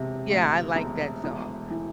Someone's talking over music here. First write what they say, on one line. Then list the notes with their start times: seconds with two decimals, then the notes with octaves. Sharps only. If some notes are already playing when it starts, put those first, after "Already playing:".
Yeah, I like that song.
Already playing: E1 C3
0.30 D2
0.76 E1
1.24 E1
1.70 E3